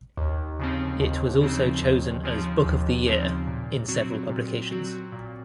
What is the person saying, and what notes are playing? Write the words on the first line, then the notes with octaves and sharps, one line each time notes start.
It was also chosen as "Book of the Year" in several publications.
D#2
C#3 F3 C4
D#2
C#3 F3 C4
D#2
C#3 F3 C4
D#2
C#3 F3 C4
A#2
F#3 C4 F#4
A#2
F#3 C4 F#4
A#2